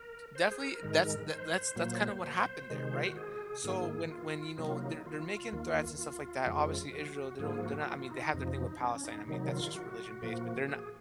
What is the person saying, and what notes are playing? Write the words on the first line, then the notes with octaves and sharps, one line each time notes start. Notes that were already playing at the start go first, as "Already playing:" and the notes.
definitely, that's the that's that's kinda what happened there, right? So, when when, you know, they're they're making threats and stuff like that, obviously Israel, they don't they're not I mean, they have their thing with Palestine, I mean, that's just religion-based, but they're no
Already playing: A#4
C5
G#4
A#4
G#2 D#3 G#3
C5
A#2 F#3 A#3
C5
C3 D#3 G#3
F4
F#4
G#4
G#2 D#3 A#3
F4
C3 F#3 A#3 D#4
F4
D#4
F4
D#2 D#3 A#3
F4
F2 C#3 F3 G#3
F#4
G#2 F3 A#3 G#4
F#4
F4
F4
D#4
F4
D#4
F2 C3 F3 D#4
C#4
C#4
D#4
C3 D#3 F#3 D#4
F4
F#4
A#2 F3 A#3
G#4